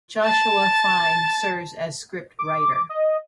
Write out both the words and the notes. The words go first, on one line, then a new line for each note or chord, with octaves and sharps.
Joshua Fine serves as scriptwriter.
A5 A6
D6
D#5